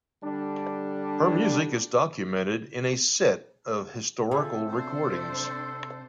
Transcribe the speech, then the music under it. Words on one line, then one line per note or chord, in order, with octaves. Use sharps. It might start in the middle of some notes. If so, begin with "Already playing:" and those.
Her music is documented in a set of historical recordings.
D3 G3 D4
C3 F4 G#4 A4
C4 D4 C5